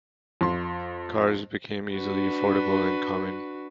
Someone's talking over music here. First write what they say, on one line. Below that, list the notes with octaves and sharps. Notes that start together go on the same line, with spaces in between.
Cars became easily affordable and common.
F2 C6
D4 F#4 B4